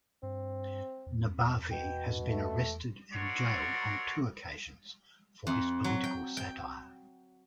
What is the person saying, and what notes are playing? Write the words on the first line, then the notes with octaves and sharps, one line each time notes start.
Nabavi has been arrested and jailed on two occasions for his political satire.
G2 C4
E2
B2 G5
A3
F#4 A4 A#4 C#5 D5 C6
F2
F#3
G5
G5